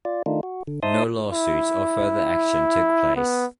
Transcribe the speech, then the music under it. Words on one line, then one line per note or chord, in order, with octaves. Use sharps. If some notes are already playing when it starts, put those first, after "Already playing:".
No lawsuits or further action took place.
F4 D5
D#3 A3 D4 D#4 F4
F#4
D3
D#4 C5 E5 A5 C6 D#6
E4
B3